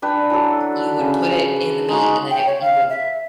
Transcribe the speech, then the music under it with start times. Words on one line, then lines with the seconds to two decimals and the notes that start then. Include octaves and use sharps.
you would put it in the meat, and then it you would
0.02 D4 B4 G5
0.30 E3 F#3 A4
0.99 C#3
1.88 G#3 D#4 F#4
2.30 G5
2.47 C#5
2.61 F5
2.90 E5